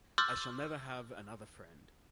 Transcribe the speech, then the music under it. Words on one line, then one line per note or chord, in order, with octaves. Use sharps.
I shall never have another friend.
C6 D6 E6 F6 G6 A6